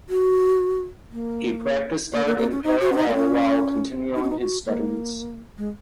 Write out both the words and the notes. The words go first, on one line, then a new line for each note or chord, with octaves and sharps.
He practiced art in parallel while continuing his studies.
F#4
A#3
A#3
A#3
A#3
C#4
D#4
F#4
C#4
D#4
A#3
C#4
D#4
C#4
D#4
F#4
A#3
G#3